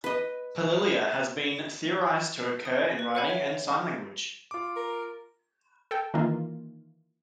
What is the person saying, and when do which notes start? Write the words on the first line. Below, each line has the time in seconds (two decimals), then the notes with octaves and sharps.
Palilalia has been theorized to occur in writing and sign language.
0.04 B4 D#5
2.65 D#6
2.99 B4
3.15 B4 C#5 F5 F#5 G#5 B5
3.27 C#5 E5
4.51 F4 D6
4.76 A#4
5.91 A4 G5
6.14 D#3 E3 A#3 F4